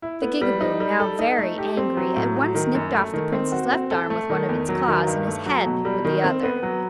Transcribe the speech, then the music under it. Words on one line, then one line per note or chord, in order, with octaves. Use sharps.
The Gigaboo, now very angry, at once nipped off the Prince's left arm with one of its claws, and his head with the other.
E4
B3
G3
D#4
G3
A4
D#4
A3
G4
C4
F#3
A2
F#3
D#3
F#2
A3
D#3
C4
F#4
C4
A4
A3
D#3
E2
F#3
D#3
G2
A3
F#3
B2
G3
D#3
C4
B3
F#3